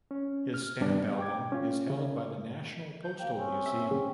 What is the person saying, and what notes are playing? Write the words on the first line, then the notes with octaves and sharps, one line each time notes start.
His stamp album is held by the National Postal Museum.
C#4
F6
G2 B3 D4
G5 D6 G#6
C#4 F4
C#3
G6
D2 A#3 G5
C4 C#4
E5
C#3